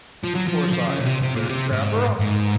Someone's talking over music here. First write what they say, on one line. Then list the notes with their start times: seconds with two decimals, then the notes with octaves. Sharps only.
"Of course I am," declared Scrapper.
0.24 F3
0.35 F#3
0.48 F3
0.73 F3
0.89 C#3
1.00 A#2
1.05 C3
1.22 C3
1.36 A#2
1.49 C3
1.71 G#2
2.20 G#2